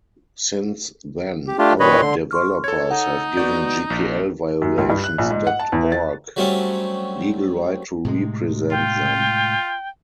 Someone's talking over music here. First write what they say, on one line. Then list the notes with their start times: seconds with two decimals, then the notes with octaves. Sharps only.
Since then, other developers have given gpl-Violations dot org legal right to represent them.
1.47 G4
1.59 A3 D4 F4 G4
1.80 A#2 D#3 B4 C#5 D#5 B5
2.01 D3 C6
2.31 C6 C#6 F6
2.64 A4 C#5 G#6
2.91 D#4 F#5
3.37 B3 F#4 D5 G6
3.90 A#1
4.62 F#2
4.78 C#2
4.90 G2
5.04 F#6
5.18 A#1
5.31 G#2
5.47 F#5
5.59 A5
5.72 E2
5.92 A6
6.36 F#3 G3 A3 C4 C#4
8.04 A2 C3 G#3
8.72 F4 G5